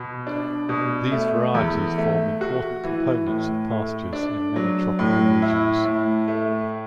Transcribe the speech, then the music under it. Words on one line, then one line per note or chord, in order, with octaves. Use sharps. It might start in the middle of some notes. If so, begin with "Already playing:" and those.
These varieties form important components of pastures in many tropical regions.
Already playing: B2
D4
B2
A3
E2
A3
F#4
E3
A2
A3
D4
F#3
A2
E4
A2
A3